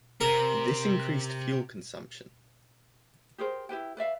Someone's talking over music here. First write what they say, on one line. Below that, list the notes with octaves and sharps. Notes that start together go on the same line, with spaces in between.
This increased fuel consumption.
C3 A#4
G4 G#4 A#4 C5
E4 G4 B4 G5
B4 D5 E5 F5